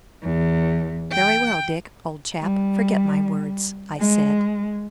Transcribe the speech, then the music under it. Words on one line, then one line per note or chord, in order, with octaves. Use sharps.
"Very well, Dick, old chap, forget my words," I said.
E2
G5
G3
G#3